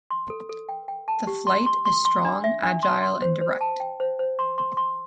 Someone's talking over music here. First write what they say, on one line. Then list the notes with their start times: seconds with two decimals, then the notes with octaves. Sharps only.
The flight is strong, agile and direct.
0.10 C6
0.30 A4
0.49 A4
0.69 G5
0.88 G5
1.08 A5
1.27 G4
1.47 C6
1.66 C6
1.85 C6
2.05 C6
2.25 D4
2.44 E5
2.63 D4
2.83 C6
3.02 C6
3.22 C5
3.41 C5
3.61 A5
3.80 G5
4.00 C5
4.19 C5
4.39 C6
4.58 C6
4.77 C6